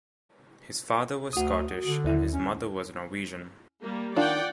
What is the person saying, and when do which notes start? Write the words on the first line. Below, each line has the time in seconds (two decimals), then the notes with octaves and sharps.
His father was Scottish and his mother was Norwegian.
1.33 D2 F#4 D#6
1.86 D3
2.04 D#2 E4
2.34 C#4
3.82 G3 A#3
4.16 D#3 D4 F4 D5 F#5 G5